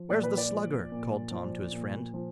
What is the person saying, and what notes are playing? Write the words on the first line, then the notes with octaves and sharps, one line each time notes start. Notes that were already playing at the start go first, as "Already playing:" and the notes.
"Where's the Slugger?" called Tom to his friend.
Already playing: F3
A#2 D5
B4
D5
F3
A#2
F3
A#2
F3